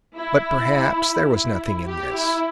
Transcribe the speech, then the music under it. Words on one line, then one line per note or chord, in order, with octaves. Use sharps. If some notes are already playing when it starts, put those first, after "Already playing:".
But perhaps there was nothing in this.
E4
E4
G4
E4